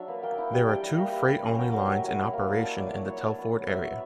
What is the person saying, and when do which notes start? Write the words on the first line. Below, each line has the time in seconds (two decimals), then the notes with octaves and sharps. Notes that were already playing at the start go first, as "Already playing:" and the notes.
There are two freight only lines in operation in the Telford area.
Already playing: F#3 D4 E5
0.08 A#3 B4
0.23 A#3 G5
0.38 E4 G5
0.53 G3 G5
0.68 D4 G5
0.83 G3 A#5
0.98 A#3 B5
1.13 E4
1.28 G3
1.43 C#4 A#5
1.58 F#3 G5
1.73 F#3 F#5
1.88 F#3 E5
2.03 F#3
2.18 E4
2.33 A#3
2.48 D4
2.63 D4
2.78 F#3 D5
2.93 F#3 C#5
3.08 F#3 C#5
3.23 D4
3.39 B3
3.53 B3
3.68 F#3 E5
3.84 F#3